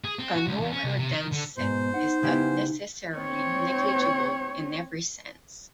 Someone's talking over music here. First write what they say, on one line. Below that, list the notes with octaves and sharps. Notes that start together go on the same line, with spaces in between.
A nowhere dense set is not necessarily negligible in every sense.
G#4
C4
F#4
C#2
E2
C#4
C2
C3
D#3
D3
G#2 B2 B3 C5
D#4 F#5
C#3 B3 E4 G4 F#5 G#5
C4 C#5